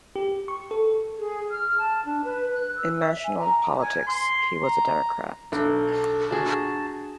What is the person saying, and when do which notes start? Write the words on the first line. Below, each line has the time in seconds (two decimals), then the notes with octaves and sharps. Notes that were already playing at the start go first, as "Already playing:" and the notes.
In national politics, he was a Democrat.
0.16 G4
0.48 C#6
0.71 A4
1.19 G#4
1.51 F6
1.78 A5
2.05 D4
2.24 B4
2.53 F#6
2.76 E6
3.00 E5
3.24 G#5
3.39 A#5
3.82 G#5
4.07 C6
4.62 A#5
5.52 B1 D4 A4
6.31 F#4 G#4 A5